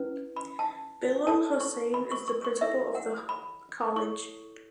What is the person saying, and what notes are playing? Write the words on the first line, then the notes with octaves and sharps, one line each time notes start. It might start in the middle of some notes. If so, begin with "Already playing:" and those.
Bilal Hossain is the principal of the college.
Already playing: C#4 E4 B4
B5
A5
E4 A4 C#5 A5
C#6
B5
C#6
C#6
C#6
E4 A4 C#5 E5
F#5
B5
E4 A4 C#5 C#6